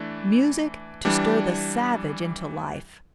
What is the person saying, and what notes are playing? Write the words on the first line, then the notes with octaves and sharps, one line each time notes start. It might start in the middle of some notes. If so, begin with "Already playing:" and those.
Music to stir the savage into life.
Already playing: E3 A3 D4
E3 G3 D4